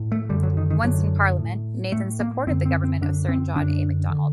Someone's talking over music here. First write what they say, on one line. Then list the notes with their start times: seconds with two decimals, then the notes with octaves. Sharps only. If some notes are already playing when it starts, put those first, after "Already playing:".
Once in Parliament, Nathan supported the government of Sir John A. Macdonald.
Already playing: A2
0.12 A3
0.29 F#2 D3 G3
0.43 F#3
0.57 D#3
0.70 D#3
0.84 F#2 D3 F#3
1.38 A2
1.92 A2 A3
2.20 A#3
2.47 F#2 C4
2.50 D3
2.66 C4
2.84 C4
3.01 F#2 D3 D4
3.29 C4
3.55 F#2 D3 D4
4.10 D3